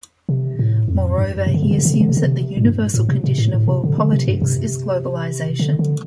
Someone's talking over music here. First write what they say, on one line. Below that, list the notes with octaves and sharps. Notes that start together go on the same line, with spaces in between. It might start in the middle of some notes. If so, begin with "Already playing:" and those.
Moreover, he assumes that the 'universal condition of world politics is globalization.
C3
A2
F2
G2
C3
D3
C3
D3
C3
D3
C3
D3
C3
D3
C3
A2
G2
A2
C3
C3
A2
A2
C3
D3
D3
C3
G2
C3
D3
D3